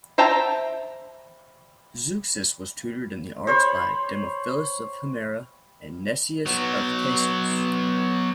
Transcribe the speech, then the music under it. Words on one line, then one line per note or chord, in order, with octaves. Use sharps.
Zeuxis was tutored in the arts by Demophilus of Himera and Neseus of Thasos.
C5 E5 G5 A5 A#5
C5 C#5 B5
F#3 B3